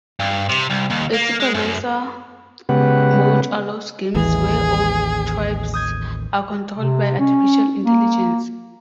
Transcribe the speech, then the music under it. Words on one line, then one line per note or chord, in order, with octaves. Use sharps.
A supervisor mode allows games where all tribes are controlled by artificial intelligence.
G2
C3
C2
D#2
A#3
G#3
F#2
C#3 G#3 B3 G4 B4 F#5
A1 D#2 E3 G#4
D#6 G6 G#6
C3
C#4
A#3